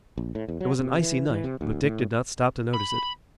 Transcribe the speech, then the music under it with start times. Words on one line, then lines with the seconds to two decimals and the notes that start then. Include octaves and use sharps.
It was an icy night, but Dick did not stop to notice it.
0.18 A#1
0.35 A2
0.48 E2
0.60 F#3
0.79 C3
0.99 E3
1.30 E3
1.44 C3
1.61 D2
1.84 A2
2.73 B5